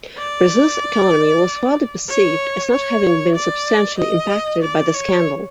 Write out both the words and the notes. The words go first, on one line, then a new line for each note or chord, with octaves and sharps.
Brazil's economy was widely perceived as not having been substantially impacted by the scandal.
D5
C#5
C#5
D5
D#5
D5
C#5